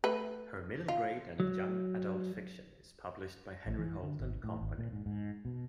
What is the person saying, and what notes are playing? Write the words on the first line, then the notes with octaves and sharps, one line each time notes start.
Her middle grade and young adult fiction is published by Henry Holt and Company.
A3 B4
F4
F#3
A1
E3
D3
G#1
A2
G#1
A#2
G#2
G#2
B2